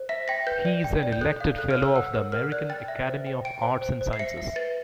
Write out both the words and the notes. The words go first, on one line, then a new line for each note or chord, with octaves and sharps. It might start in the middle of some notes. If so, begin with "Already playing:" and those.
He is an elected Fellow of the American Academy of Arts and Sciences.
Already playing: C5
E5 B6
G5 A#6
B4 G6
D5
G5
D5
G6
A4 F#6
F5
A4 F#6
F6
C#5
E6
F#5 E6
A#4
A#4 F6
D5 F#6
G5 A6
E5
C5
G5
G5 D7
C5
C5
C5
C7
E5 C#7
E5
B4 A6